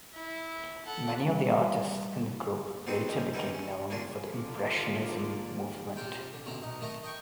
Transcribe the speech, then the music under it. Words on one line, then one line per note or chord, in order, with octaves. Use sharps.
Many of the artists in the group later became known for the Impressionism movement.
E4
A4 F#5
G3
B3 C4 D4 D#4 F#4
D#3 G3 G#3
E2 D#3 G3 B3 D#4 E4
C#4
A#3 C#4 D4 F4
D3 D#3 F3 A#3 D5
C3 C4 F4 G5
D3
B1 F#2 D3 C4 A#5
B1 D#4
D#3 A3 D#5 A#5
D#5 G5 C#6